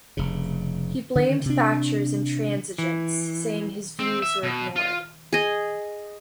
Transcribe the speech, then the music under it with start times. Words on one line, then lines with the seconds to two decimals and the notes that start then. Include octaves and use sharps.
He blamed Thatcher's intransigence, saying his views were ignored.
0.17 F1 C#3
1.15 D3 D#3
1.45 C3 D4
2.78 E3
3.99 C4
4.22 E5
4.43 B2
4.76 F4
5.33 G#4 D#5